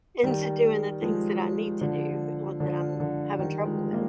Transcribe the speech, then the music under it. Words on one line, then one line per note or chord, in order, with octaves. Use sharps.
into doing the things that I need to do or that I'm having trouble with.
D#3 G3
F3 G#3
D3 F3
D3 F3
D3 F3
D#3 G3
F3 G#3
G3 A#3